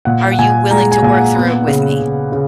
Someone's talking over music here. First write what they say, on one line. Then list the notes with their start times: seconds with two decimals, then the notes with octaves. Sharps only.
are you willing to work through with me?
0.05 A#2 F#5
0.32 F#5
0.39 A#2 G#5
0.70 G#3 A#5
0.92 G#5
1.02 A#2 G#5
1.14 F#5
1.35 B3
1.68 C#3
1.99 C#3
2.32 C#3